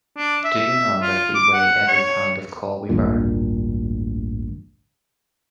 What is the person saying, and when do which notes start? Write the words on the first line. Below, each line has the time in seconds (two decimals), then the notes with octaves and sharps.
Do you know that we weigh every pound of coal we burn.
0.17 D4
0.44 E5
1.01 F4
1.35 D6
1.54 F#5
1.88 C#5
2.89 A1 D2 G2 A#2